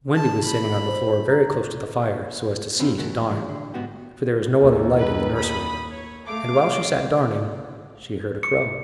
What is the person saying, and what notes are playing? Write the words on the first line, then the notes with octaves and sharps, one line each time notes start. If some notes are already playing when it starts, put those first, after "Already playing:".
Wendy was sitting on the floor, very close to the fire, so as to see to darn, for there was no other light in the nursery; and while she sat darning she heard a crow.
A5
B5
C5
A#5
C4 C#4 D#4 F4 G4 B5
E2 A3 F#4 A#4 C#5
A2 E3 G#3
D3
G#2 B3 F#4 G4
D#2
B4
B5 D#6 B6
C#5
A3 F5 D6
C#7